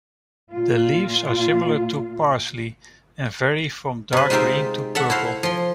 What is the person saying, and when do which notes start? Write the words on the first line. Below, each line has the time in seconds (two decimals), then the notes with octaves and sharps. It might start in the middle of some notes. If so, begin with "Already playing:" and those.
The leaves are similar to parsley, and vary from dark green to purple.
0.51 A#2 F4
4.13 C3 B4
4.30 G#3 D#4 F4 G4 C5 E5
4.95 A4 E5 F#5
5.10 E4 F#4 C5 F5
5.43 F3 C6